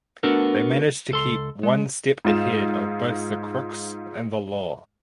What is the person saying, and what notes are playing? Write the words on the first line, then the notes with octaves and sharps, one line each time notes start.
They manage to keep one step ahead of both the crooks and the law.
A3 B3 D4 F#4 A4 A#4
C#2 A4 C6
G#3
G#2 F4 E7